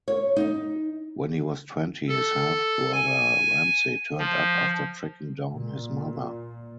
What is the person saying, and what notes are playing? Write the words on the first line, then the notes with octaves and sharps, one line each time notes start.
When he was twenty, his half-brother, Ramsay, turned up after tracking down his mother.
C#5
D#4
A4
G#5
F3
A#2